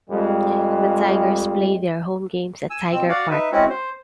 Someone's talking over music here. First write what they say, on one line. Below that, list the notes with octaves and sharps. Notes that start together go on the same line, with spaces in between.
The Tigers play their home games at Tiger Park.
F2 G3 G#3
G#5 E6
B2 F3 C4 E6
F#4 D5 F5 F#5
D#4 B4 E5
G#3 C4 C#4 E4 F#4
C5